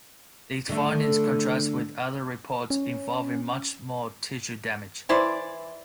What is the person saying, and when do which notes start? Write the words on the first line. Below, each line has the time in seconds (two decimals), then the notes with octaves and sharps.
These findings contrast with other reports involving much more tissue damage.
0.69 D3 A3
2.70 C#4
5.09 E3 E4 C5 D5